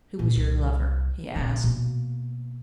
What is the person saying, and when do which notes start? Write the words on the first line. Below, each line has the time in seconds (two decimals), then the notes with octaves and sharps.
"Who was your lover?" he asked.
0.19 A#2
0.36 C2
1.36 A#1 A#3
1.64 B2 A#3